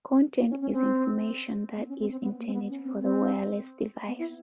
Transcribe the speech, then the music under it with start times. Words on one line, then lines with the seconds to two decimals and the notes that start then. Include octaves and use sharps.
Content is information that is intended for the wireless device.
0.39 B3
0.50 C#4
0.61 C#4
0.73 C4
1.76 B3
1.89 C#4
2.00 C4
2.11 C4
2.23 B3
2.39 A#3
2.47 C4
2.53 B3
2.69 C#4
2.85 C4
3.00 C4
4.08 B3
4.19 E4